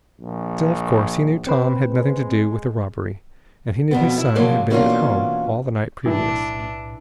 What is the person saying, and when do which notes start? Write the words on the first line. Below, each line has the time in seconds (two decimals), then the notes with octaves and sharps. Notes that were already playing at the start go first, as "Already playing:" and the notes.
Still, of course, he knew Tom had nothing to do with the robbery, and he knew his son had been at home all the night previous.
0.20 A#1
1.47 C4 B4 C5
1.89 G#3
3.91 F2 B2 B3
4.18 E4
4.35 A#2 C#3 F3 F#3 G#3 A#3
4.70 B2 E3 A#3 C#4 D4 F4
6.06 B1 A2 E3 D4